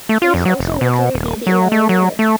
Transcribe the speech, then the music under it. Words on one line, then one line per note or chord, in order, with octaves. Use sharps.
It is also located near the Illinois River.
A3
F4
F2
F#3
F1
B2
D#1
F#3
A3
F#3
A3